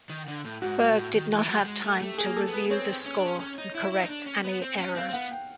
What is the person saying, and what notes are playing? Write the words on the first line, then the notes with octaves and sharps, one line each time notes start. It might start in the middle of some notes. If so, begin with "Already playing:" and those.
Berg did not have time to review the score and correct any errors.
D#3
D3
A2
G#2 F#4
G#2
A#2
A2
D#3
E3
F#3
G3
G#3
A3
A3 G4
G#4
A#3
A4
B3
B4
C4 C#5
C#4
D4
C#4
C#4
D#4
E4
E4
D#4
D4
C#4
B3
C4
C#4
C4 F5
C4
B3 F#5
G5